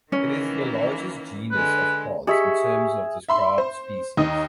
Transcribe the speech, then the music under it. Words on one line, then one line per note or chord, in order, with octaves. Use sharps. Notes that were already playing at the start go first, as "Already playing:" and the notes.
It is the largest genus of plants in terms of described species.
D#3 E3 A#3 C#4
D3 G#3 B4
G4 G#4 E5 C#6 B6
E5 B5 C6
C5
D#2 D#4 D#6